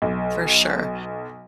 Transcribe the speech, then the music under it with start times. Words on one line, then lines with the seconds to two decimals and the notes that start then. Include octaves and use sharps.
For sure.
0.02 B1